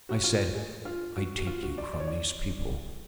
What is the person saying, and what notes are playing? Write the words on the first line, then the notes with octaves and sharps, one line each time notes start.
I said, 'I take you from those people.
F#4
F4
G#4
F4
F#4
F#4
F4
F#4
D5
D5
C#5
D5